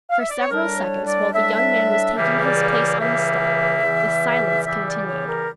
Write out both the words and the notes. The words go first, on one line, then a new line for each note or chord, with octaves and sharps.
For several seconds while the young man was taking his place on the step the silence continued.
F5
E5
D5
C#5
A2 G3 D4 A#4
C#5
D5
A2 G3 D4 E5
C#2 C#3 E3 G3 A#3 E5
D5
D5
C#2 C#3 E3 G3 A#3 E5
E2 C#3 E3 G3
E2 C#3 E3 G3 E5
D5
C#5
A#4